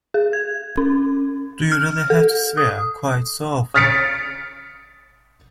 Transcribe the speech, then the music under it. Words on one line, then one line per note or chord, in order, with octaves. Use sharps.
Do you really have to swear quite so often?
G#4
G#6
C#4
F6
A4
D#6
D#6 F6 A6 B6 C#7 D7